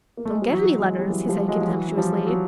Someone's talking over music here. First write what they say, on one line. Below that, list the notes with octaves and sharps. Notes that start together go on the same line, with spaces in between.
"Don't get any letters," he said contemptuously.
A#3
A3
G#3
G3
E3 F#3
F#3 G#3
G3
E3 F#3
F3 G3
F#3 G#3
F3
E3 F#3
F#3
F3 G3
F#3